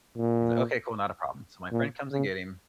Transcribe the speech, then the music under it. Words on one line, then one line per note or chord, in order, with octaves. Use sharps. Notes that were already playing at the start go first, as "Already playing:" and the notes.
He's like, "Okay, cool, not a problem." So my friend comes and get him,
A#2
A#2
C#3